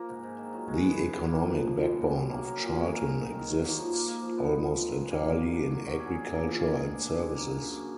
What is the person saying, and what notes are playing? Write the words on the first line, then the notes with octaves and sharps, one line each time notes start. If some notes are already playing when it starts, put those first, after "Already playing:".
The economic backbone of Charlton exists almost entirely in agriculture and services.
Already playing: F3 A#3 A#4
G#2
G#2
D#3
F#3
G#3
B3
B3
B3
A#3
F3
F3
F3
F#2
F#2
F#2
A#3
A#4
A#2
G#3
A#4
D#3
D#3
D#3
F#3
A#3
F3
A#3
A#3
F3
B3
F3
F3
D#3
F#2
A#3
A#3
D3
D4
F#3
D3
G#4
G#4
A#3
F3
G#4
G#4
D4
D4
D3
A#3
F#2
F#2